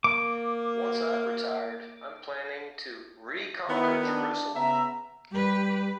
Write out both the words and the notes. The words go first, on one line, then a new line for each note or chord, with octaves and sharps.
Once I've retired, I'm planning to reconquer Jerusalem.
A#3 D6
D#3 B3 E4
D4
C#3 B3 E5 A#5
G3 G4 B4